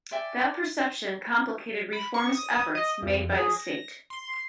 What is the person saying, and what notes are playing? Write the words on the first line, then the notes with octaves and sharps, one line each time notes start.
That perception complicated reformist efforts made by the state.
D5 E5 G5 G#5
B5
C#6
D#6
D#5
F2
G#4
A#6
C6